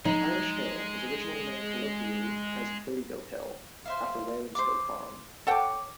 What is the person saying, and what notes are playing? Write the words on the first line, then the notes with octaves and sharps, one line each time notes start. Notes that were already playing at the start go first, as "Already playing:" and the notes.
Irish Hill was originally known colloquially as "Billy Goat Hill" after Whalen's goat farm.
F3 F#3 G#3 D#4 G#4
C5 E5 F5
C5 D6
A4 C#5 F#5 G5 D6